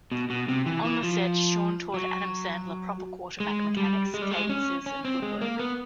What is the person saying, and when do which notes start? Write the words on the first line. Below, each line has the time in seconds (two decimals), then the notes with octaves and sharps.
On the set, Sean taught Adam Sandler proper quarterback mechanics, cadences, and footwork.
0.12 B2
0.30 B2
0.48 C3
0.66 E3
0.84 E3
1.03 F3
1.94 F#3
3.40 G#3
3.77 G3
4.14 G#3
4.22 G3
4.31 G#3
4.49 C#4
4.86 C#4
5.05 C4
5.22 G#3
5.41 A#3
5.59 B3